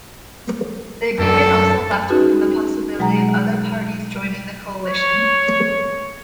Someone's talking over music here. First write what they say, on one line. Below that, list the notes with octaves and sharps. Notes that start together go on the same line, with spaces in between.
The agreement also left open the possibility of other parties joining the coalition.
F#2 D4 A4
C#4 D#4 F#4 G#4 B4
B2 F#3 G#3 G#4 F#5 A#5
C#5